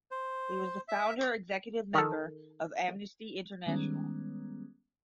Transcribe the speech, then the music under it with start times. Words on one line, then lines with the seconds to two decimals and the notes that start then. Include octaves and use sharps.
He was the founder executive member of Amnesty International.
0.11 C5
0.88 E5
1.94 D#3 A4
3.67 D#3 G3 G#3 B3 C#4